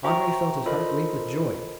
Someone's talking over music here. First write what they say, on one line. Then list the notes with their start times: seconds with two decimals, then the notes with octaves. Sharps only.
Andrea felt his heart leap with joy.
0.04 F#4 C5 E5 G5 A#5 C#6
0.66 F4 A4 A#4 C5 D#5 B5